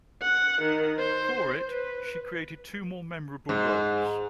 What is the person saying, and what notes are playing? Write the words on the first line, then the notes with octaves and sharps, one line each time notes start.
For it, she created two more memorable roles.
F#5
D#3
C5
B4
G#2